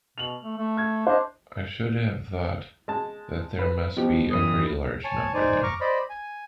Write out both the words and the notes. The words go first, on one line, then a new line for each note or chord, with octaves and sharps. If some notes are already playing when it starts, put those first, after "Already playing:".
I should have thought that there must be a pretty large number there.
B2 F7 F#7
A3
A3
G#6
D4 C5 D#5
G#3 A5
B4
B2 F3 G4
F#2 E3 D#6
C#5 G#5 A5
D#4 C5 D5 G#5
A#5 C#6 D6 F6
C5 D5 D#5 B5
G#5